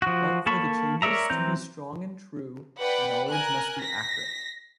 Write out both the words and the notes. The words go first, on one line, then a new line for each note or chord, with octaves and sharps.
But for the changes to be strong and true, the knowledge must be accurate.
F3 F#4
A#3 A4 A5 B5 C#6
A#4 C#5 D5 E5 A#5
E3 C4 A#5 G6
B4 D5 F#5 G5 B5 F#6
A#4 G#5 F#6
A#6 B6